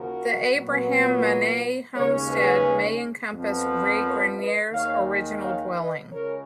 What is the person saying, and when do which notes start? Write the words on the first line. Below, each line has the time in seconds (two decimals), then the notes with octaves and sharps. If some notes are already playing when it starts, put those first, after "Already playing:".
The Abraham Manee Homestead may encompass Regrenier's original dwelling.
Already playing: D#2 C#3 F3 F#4 A#4
0.56 A#2 F#3 B3
1.95 D#2 C#3 G#3 C#4 A#4 C#5
2.30 G#4 B4
3.34 F2 F3 B3
4.03 A#4 C#5
4.38 B4 D#5
4.72 D#2 D#3 G#3 C#5 F5
5.42 C#5 F5
5.77 B4 D#5
6.11 C#2 C#3 G#3 A#4 C#5